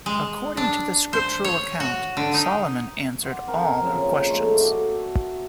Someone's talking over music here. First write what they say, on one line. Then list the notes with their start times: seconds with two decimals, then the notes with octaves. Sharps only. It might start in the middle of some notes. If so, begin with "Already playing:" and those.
According to the scriptural account, Solomon answered all her questions.
0.06 G#3
0.57 D4
1.13 C5
1.44 C#5
1.80 F#4
2.17 D3
2.34 D#4
3.23 F#5 C6 D6
3.47 C4 A#4 G5
3.82 A#2 C#3 F3
4.03 A#4
4.26 G#3 A3
4.55 A3 F#4 D#5 D6